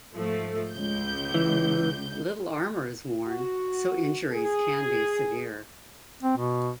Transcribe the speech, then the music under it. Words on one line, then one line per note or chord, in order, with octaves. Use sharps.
Little armor is worn, so injuries can be severe.
G#2 F3 A3
C#2 G6
E3
F#4
G#4
C4
B2